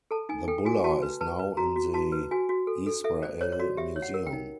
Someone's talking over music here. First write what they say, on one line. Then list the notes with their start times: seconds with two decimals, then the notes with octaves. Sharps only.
The bulla is now in the Israel Museum.
0.11 A4 A5
0.29 D#4 G#5
0.48 A4 G5
0.65 F#4 G#5
0.84 F#4 A5
1.02 B4
1.21 B4 A5
1.39 B4
1.57 F#4 A#5
1.76 F#4
1.94 F#4 A5
2.12 B4
2.31 F#4 G#5
2.49 F#4
2.67 A4
2.86 A4
3.04 A4 E5
3.23 C5 D5
3.41 C5 C#5
3.52 C#5
3.59 F#4 D5
3.77 G4 E5
3.96 C#5
4.02 F#5
4.14 A#4
4.27 G5
4.33 D#4